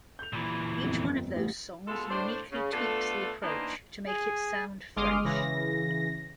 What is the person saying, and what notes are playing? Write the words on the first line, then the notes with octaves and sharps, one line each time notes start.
Each one of those songs uniquely tweaks the approach to make it sound fresh.
G6 F7
A#2 E3
G1 F2
A1 G3
B2 G#3 F4 A4
A2 D4 C5
C#3
A3 B3 D4 F4 A4 B4
E3 A#3 B3 D4 D#4 C5
G#4
G1 G#3 C6 D6 D#6 F6
C#3 E3 A#6